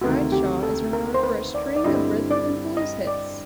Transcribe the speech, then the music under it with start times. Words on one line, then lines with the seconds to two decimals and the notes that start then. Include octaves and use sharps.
Bradshaw is remembered for a string of rhythm and blues hits.
0.02 D2 C3 D#3 F#4
0.32 G4
0.63 A4
0.93 A#4
1.14 C5
1.23 B4
1.55 D5
1.76 D5
1.84 G2 D3 G3 C4 E4 D#5
2.31 D5
2.77 D#5
3.07 D5